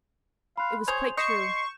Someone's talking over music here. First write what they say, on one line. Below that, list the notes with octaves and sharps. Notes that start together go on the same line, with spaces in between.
It was quite true.
F5 B5 C6 F#6
G#4 C5 C#5 F7
D#5 C6 C#6 G6 E7